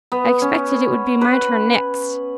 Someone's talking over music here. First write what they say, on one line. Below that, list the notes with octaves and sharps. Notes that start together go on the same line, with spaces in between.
I expected it would be my turn next.
B3
C#4
B4